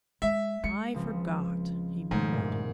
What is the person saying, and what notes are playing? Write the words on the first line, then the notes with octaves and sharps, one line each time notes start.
"I forgot," he murmured.
G#3 E5
G#3 C#7
C#2 F3 C4
B1 G#2 D#3 G#3 A3
C2 G2 A#2